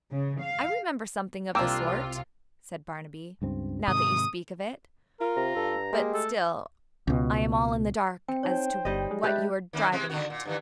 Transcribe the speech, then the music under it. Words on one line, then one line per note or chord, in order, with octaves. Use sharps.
"I remember something of the sort," said Barnaby, "now that you speak of it, but still I am all in the dark as to what you are driving at."
C#3
F5
C2 C3 A#3 D4 F4 G5 D6 E6
C#2 G2 C4
G#2 C3 D#3 D#6
F4 A#4
C3 A#5
G2 A4
G#3 A#3 G4
A3 A4
C#2 B2
C4 G5
D#4 C5 C#5 G5
G1 G3 D#5
G#3
G4 B4 E5 A5 F#6
D#3 A#3 C#4
C3 G#3 C4
D3 D#3 F#4
A#2
G2 D#3 E3